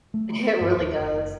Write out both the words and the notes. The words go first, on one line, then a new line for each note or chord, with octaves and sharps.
It really does.
A3
G2
D#1
F#1